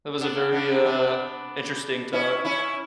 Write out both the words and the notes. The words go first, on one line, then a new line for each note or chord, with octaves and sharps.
That was a very, uh, interesting talk.
B3 D4
B3 D4
B3 D4
C#4 E4
C#4 E4